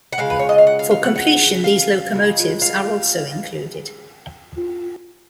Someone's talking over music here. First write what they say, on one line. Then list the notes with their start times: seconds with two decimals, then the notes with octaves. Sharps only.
For completion these locomotives are also included.
0.12 F#5
0.18 C#3 G#3 F5
0.30 B4
0.39 C#5
0.49 D#5
0.58 F5
0.67 F#5
0.79 F5
0.91 F5
1.04 F#5
1.16 F#5
1.64 F5
2.13 C#3 F3 G#3
2.62 F5